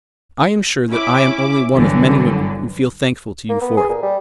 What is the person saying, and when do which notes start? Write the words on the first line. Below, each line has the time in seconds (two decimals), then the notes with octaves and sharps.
I am sure that I am only one of many women who feel thankful to you for it.
0.89 C#4 E4 D6
1.74 G1 C2 D3 E3 F#3
3.49 A#3
3.61 B3
3.77 G#4
3.89 A#2
4.03 G3